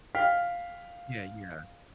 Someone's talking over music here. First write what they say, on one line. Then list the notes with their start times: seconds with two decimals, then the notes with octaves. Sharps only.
Yeah, yeah.
0.15 F5 G5 F6 B6